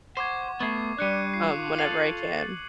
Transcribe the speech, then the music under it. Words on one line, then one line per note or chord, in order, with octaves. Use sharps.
um, whenever I can.
C5 F#5 C#6 D6 G#6
A3 B3 C#6 G#6 C7
G3 D4 D5 F#6 C#7 D#7
F4 C7
A4 F5 F#7